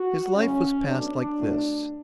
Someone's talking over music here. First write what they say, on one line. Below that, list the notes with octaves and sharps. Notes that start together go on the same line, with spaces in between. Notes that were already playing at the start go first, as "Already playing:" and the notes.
His life was passed like this.
Already playing: F#4
F#1 F#2 C#3 G#3 C#4
B1 B2 A3 D4
B1 A2 F#3 A3